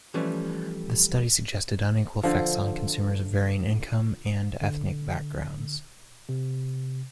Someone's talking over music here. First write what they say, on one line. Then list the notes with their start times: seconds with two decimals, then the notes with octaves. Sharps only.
The study suggested unequal effects on consumers of varying income and ethnic backgrounds.
0.14 E3 F3 G3 A3 C#4 B4
2.23 D3 F3
4.61 D3
6.29 C3